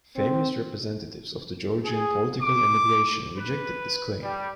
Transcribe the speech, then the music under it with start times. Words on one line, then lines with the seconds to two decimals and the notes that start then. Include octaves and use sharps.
Famous representatives of the Georgian Political Emigration rejected this claim.
0.17 C4
1.85 G#4
2.41 D6
3.37 B4
4.23 G3